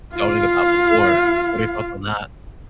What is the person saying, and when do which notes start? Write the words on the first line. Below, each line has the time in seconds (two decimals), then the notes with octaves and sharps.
going about before. What are your thoughts on that?
0.16 F4 F5